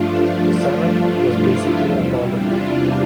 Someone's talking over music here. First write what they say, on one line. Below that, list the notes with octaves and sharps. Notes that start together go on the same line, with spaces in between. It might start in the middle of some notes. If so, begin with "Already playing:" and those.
The Senate was basically a Parliament.
Already playing: G2 F3 A3 D4 F4
D4 F4
E4
E2 C3 E3 G3
D4 F4